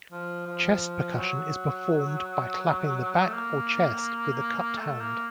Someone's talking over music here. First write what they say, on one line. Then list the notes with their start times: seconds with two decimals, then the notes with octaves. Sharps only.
Chest percussion is performed by clapping the back or chest with a cupped hand.
0.12 F3
0.47 F3
1.18 F#3
3.27 A3
3.33 A#3
4.78 A3
5.00 A#3